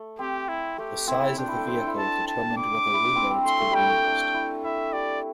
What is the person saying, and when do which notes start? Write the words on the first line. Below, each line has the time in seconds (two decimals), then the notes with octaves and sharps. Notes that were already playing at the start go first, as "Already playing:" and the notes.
The size of the vehicle determined whether reloads could be used.
Already playing: A3
0.19 C4 G4
0.48 E4
0.78 A3 G4
1.07 C4 E4
1.38 D4 G5
1.48 E4
1.57 A4
1.67 C5
1.78 A4
1.83 D4 E4
1.97 D4 A5
2.27 A5
2.50 D4
2.56 E4 D6
2.93 E4
3.04 D4
3.15 C4
3.30 C4
3.45 A3 C6
3.60 A3
3.71 G3 A3 G5
3.89 A3
4.04 D4
4.34 E4
4.64 E4 E5
4.93 G4 D5